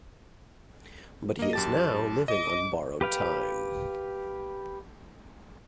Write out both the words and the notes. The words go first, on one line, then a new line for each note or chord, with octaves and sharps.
But he is now living on borrowed time.
A#3 D#5
F#2 G4 A5 A6
D#5 D6
G4 B4 F5 G5